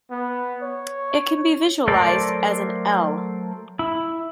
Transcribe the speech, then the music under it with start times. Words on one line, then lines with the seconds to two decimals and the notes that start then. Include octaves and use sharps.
It can be visualised as an 'L'.
0.10 B3
0.62 C#5
1.88 F#3 A3 A4 A#4 C5 D5
3.79 E4